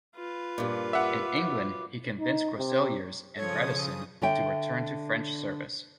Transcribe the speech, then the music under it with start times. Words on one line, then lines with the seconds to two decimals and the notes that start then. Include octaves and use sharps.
In England he convinced Groseilliers and Radisson to return to French service.
0.15 F4 B4
0.58 G2 A#2
0.93 E5 F#5 D6
1.36 F#2
2.20 D#4
2.58 C3
3.36 C#3 F3 A4 C#5 D#6
4.22 D3 C#5 E5 G5